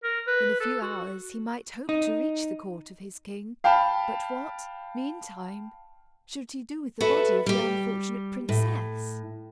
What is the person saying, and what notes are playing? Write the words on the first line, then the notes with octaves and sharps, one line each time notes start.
In a few hours he might hope to reach the court of his king; but what, meantime, should he do with the body of the unfortunate princess?
A#4
B4
A4
F#4
D#4
F5 G5 A5 B5
F#4 A4 B4 E5
G3 G4
A2